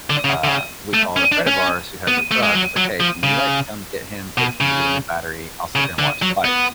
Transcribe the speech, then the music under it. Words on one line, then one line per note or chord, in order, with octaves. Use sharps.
uh, we called a friend of ours who has a truck, and I was like, "Hey, can you, like, come get him, take him to get a new battery? I'll sit here and watch the bikes."
D3
C#3
D3
C#3
A3
C#4
D4
C#4
B3
A3
G#3
F#3
F#3
F3
C#3
B2
C#3
C#3
D3
F#3
B3